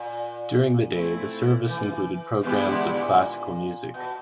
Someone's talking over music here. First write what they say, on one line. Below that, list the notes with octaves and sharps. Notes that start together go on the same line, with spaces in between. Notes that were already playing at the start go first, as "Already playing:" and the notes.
During the day, the Service included programmes of classical music.
Already playing: A#2
A3 C4 E4
E3
E3 G#3 B3 E4 G4
D3
A#2
B2